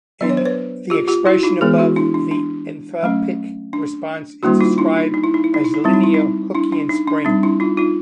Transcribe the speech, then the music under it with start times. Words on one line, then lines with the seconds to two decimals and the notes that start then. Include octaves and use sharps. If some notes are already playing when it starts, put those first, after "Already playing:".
In the expression above, the enthalpic response is described as a linear Hookian spring.
0.21 F#3 B3 D4 D5
0.29 C#5
0.37 C5
0.45 B4 C#5
0.90 F4 G4
1.08 F4 G4
1.26 E4 F#4
1.43 D#4 F4
1.61 E3 G#3 B3 G#4 A#4
1.78 E4 F#4
1.96 D4 E4
2.14 D4
2.31 D4
3.03 F#3 A3 C#4
3.73 D4
4.43 D#3 G3 A#3 D4 E4 F#4
4.61 D#4 F4
4.78 D4 E4
4.97 D#4
5.14 D#4
5.24 E4
5.34 D#4
5.44 E4
5.54 D#4
5.64 E4
5.74 D#4
5.84 G3 C4 E4
5.93 D#4
6.04 E4
6.14 D#4
6.55 D4 E4
6.72 D4
6.89 D#4
7.08 D4
7.25 G3 C4 D#4
7.43 D4 E4
7.60 D#4 F4
7.77 D#4 F4